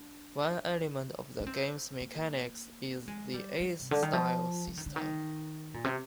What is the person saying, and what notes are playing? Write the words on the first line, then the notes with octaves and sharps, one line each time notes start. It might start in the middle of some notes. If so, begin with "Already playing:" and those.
One element of the game's mechanics is the Ace Style system.
Already playing: D4
D4
C4
A#3
G#3
G3
G3
C3
D3
D#3
F3
F3
D#3
D3
D#3
A#2
C3